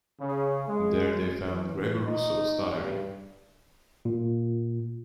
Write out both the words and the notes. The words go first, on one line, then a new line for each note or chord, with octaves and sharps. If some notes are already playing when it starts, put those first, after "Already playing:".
There they found Gregor Russoff's diary.
C#3
G#3
E3
D#4
G2
A#2